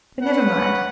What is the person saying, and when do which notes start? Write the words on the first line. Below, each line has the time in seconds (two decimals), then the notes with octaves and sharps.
But never mind.
0.22 C#4 B4 F#5